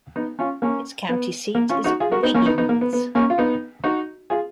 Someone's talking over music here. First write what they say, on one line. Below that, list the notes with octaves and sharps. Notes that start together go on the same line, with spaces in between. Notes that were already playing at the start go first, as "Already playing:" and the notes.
Its county seat is Wiggins.
B3 D#4
C#4 F4
A#3 C#4
B3
A#3
C#4 F4
D#4 F#4
F4 G#4
F#4 A#4
B3 D#4
A#3 C#4
B3 D#4
B3 D#4
A#3
B3
B3
A#3 C#4
F4
B3 D#4
D#4 F#4
F4 G#4